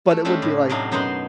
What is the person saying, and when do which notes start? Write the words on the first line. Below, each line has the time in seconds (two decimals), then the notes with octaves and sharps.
but it would be like
0.11 A3
0.25 G#3 A3 C#4 D4 G4 A4
0.42 A2
0.69 A2 C3 F#3 D4 D#4 F5
0.92 F#2 B2 D#4 C5 F#5 C6